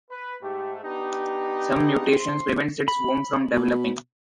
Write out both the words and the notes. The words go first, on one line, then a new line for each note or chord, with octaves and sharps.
Some mutations prevent its womb from developing.
B4
G#2 A3 G4
B3 D4 D#4 G4
A2 C4 C6
B5
B2